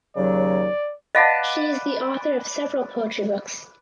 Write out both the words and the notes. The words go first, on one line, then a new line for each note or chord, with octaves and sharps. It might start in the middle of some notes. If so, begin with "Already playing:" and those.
She is the author of several poetry books.
D#2 C#3 F#3 D5
B4 D5 D#5 F5 F#5 A5